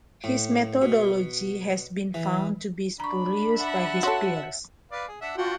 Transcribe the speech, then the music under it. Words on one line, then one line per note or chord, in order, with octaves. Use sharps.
His methodology has been found to be spurious by his peers.
A2
B2
E3
D4 A#5 B5 C#6
E5 F#5 A5
F#4 A4 C#5 C6
B4 D5 F5
G#4
D4 E5 F#5
D4 F4 F#4 F#5 G5